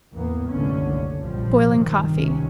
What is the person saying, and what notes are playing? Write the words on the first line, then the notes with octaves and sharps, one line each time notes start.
Boiling Coffee.
E2 A2 C#3 A#3 B3
F#1 C2 D3 A3 C#4
A#1 F3 G3
G2 C3 D#3
C#2 C3 D#3 C#4